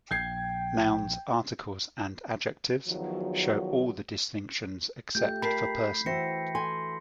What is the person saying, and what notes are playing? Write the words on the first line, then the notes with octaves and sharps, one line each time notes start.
Nouns, articles and adjectives show all the distinctions except for person.
A#1 G5 G6 G#6 C7
E2 D#3 F3 F#3
A3 F4 G4 G6
A#4 A5 B5 B6 C7
E3 F#4 C5 E5 G5 A#6 C#7
A4 G#5 C6